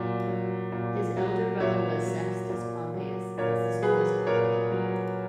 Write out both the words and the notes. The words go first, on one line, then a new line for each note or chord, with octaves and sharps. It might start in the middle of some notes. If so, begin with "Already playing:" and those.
His elder brother was Sextus Pompeius and his sister was Pompeia.
Already playing: A#2 F#3
F#3
A#2
F#3
A#2 C#5 E5
F#3
A#2
F#3
A#2 A#4 C#5
F#3 G#4 B4
A#2 A#4 C#5
F#3